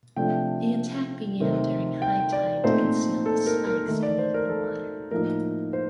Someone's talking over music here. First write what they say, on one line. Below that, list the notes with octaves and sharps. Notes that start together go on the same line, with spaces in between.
The attack began during high tide to conceal the spikes beneath the water.
C3 F3 A3 D4 G5
C3 D#3 A3 C4
G5
D5
A#2 A3 C4 D#4 C5
A4
A#4
A#4
D#3 A3 D#4
D5
C5
A#4
A4
A2 F3 A#3 D#4 A#4
C5